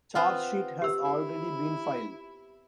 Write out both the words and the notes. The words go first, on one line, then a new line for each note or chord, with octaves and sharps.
Charge sheet has already been filed.
B3 C4 F4
G4 E6
E4